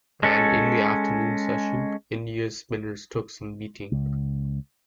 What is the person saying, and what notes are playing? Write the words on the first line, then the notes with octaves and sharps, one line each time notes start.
And in the afternoon session, India's spinners took some beating.
G#3 C#4 A4
C#2